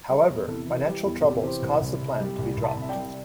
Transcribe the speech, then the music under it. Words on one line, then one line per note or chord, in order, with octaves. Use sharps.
However, financial troubles caused the plan to be dropped.
G3 A4 D5
E2
C3 E4 A4
E3
A4
G3 G4
E2 E4
C3 G4
E3 G4 C5
C2
C2
C3
G3
C2
C2
E5 A5
C3 E5
D5 G5
G3